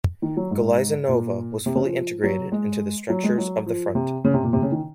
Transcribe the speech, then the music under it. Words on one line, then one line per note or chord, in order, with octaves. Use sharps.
Galiza Nova was fully integrated into the structures of the front.
D#3
F#3
G#2
A#2
C3
C#3
F3
F#3
G#3
F#3
G#3
F#3
F3
C3
C#3
C3
A#2
C3
C#3
D#3